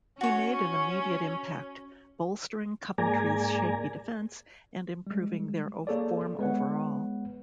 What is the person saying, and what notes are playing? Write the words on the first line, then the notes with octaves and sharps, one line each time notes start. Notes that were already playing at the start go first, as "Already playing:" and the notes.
He made an immediate impact, bolstering Coventry's shaky defence and improving their form overall.
C#4 F#4 C#5
G#2 A#3 G#4 D5 G#5 A#5
G3 G#3
A#3 G#4 A4 C#5 D5
G#3 B3 B4 C#5 F#5